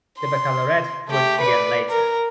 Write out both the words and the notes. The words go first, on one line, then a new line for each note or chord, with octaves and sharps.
The baccalaureate would begin later.
C6
A3 G4
B4 D5
A#4